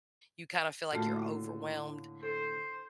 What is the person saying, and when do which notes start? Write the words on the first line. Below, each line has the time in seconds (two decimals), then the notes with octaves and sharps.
you kind of feel like you're overwhelmed
0.92 A2 D3 A3 A#3 F4 F#4
2.23 A4 C5